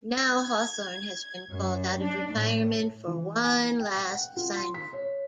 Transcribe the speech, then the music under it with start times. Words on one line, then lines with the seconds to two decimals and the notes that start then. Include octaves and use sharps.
Now Hawthorne has been called out of retirement for one last assignment.
0.15 G#6
1.51 F#2
2.00 D4
2.33 A2
3.07 E3
3.44 G#5
3.80 G5
3.96 G5
4.12 F#5
4.37 F4
4.56 C6
4.74 B6
4.93 C#5